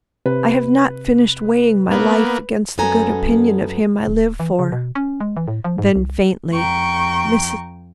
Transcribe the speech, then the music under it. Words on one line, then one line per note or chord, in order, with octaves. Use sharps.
I have not finished weighing my life against the good opinion of him I live for." Then faintly--"Mrs.
C3 B4
A#3 B3
F#2 B3 C#4 A4 G#5 A#5
D1
E3
C#3
B2
C#4
G#3
E3
A2
F3
G#2
C2
F2 G5 A#5 C#6